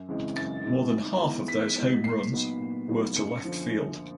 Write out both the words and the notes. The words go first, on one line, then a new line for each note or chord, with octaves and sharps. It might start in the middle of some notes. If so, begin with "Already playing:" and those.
More than half of those home runs were to left-field.
Already playing: F#2
C#3 E3 G#3 C4
F#2 A6
C#3 E3 G#3 C4
G#2
E3 G#3 B3
G#2 B6
E3 G#3 B3
A#2 C7
F#3 B3 D#4
A#2
F#3 B3 D#4
F#2 C#7
D3 F3